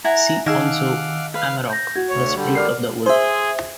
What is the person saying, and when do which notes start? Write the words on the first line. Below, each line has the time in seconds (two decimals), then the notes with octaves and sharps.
See also; Amarok, the spirit of the wolf.
0.04 E4 F#5 G#5 A#5
0.46 D#3 G#4 F5 F#5 G#5 D6 E6
1.34 B4 F5
1.69 G6 A#6
1.95 F#4 G#6
2.09 D2 C#5
2.35 D3 G3
2.55 A#4 D5 D6 F6 C7
3.06 G#4 C5 E5